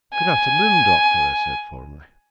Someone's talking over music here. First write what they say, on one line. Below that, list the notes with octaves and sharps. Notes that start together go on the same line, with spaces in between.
"Good afternoon, Doctor," I said formally.
G#5